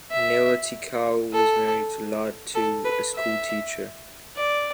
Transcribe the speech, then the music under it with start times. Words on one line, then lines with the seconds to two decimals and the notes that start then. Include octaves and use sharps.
Nailatikau is married to Latu, a schoolteacher.
0.11 E5
1.33 A4
2.55 A4
2.85 B4
3.15 E5
4.37 D5